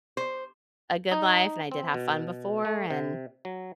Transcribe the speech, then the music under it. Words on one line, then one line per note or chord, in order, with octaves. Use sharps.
a good life, and I did have fun before. And
C5
D#4
C4
B2
A3
C3
F#3